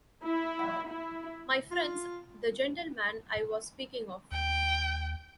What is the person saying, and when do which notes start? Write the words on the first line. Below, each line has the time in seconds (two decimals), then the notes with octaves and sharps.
My friends, the gentleman I was speaking of.
0.23 E4
0.89 E4
1.71 F4
4.32 D#2 G5